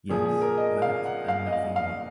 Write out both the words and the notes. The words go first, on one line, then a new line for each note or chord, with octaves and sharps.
Yes. That, and nothing more.
A#2 F3 G#4
G#4
A#4
D#5
F5
F#5
F5
D#5
F5
F5